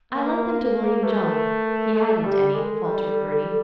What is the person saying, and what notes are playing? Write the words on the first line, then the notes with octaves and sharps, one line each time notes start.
"I lent them to William John--he hadn't any," faltered Bertie.
A#3 A#4
B4
A#4
B4
A#4
B4
A#4
B4
A#4
A3 B4
A#4
B4
A#4
A3 A4
G3 G4
G#3 A4
A#4
A4
G3